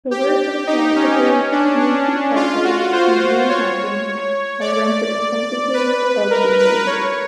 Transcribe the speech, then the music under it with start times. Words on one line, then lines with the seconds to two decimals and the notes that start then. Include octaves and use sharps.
The work of philosophers Nancy Cartwright and Ian Hacking are representative of these ideas.
0.11 G4
0.67 D#4
0.96 C#4
1.24 C#4
1.52 D4
1.80 D4
2.36 F4
2.64 F#4
2.93 C5
3.49 C#5
4.61 D5
5.74 B4
6.31 A#4
6.59 B4
6.87 C#5